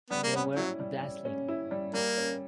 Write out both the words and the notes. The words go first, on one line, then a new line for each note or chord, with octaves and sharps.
They were dazzling.
G3 B3
A#3
B3 C#4
F#3 E4
G3
G3
C#4
E4
G3
G3 A#3
C#4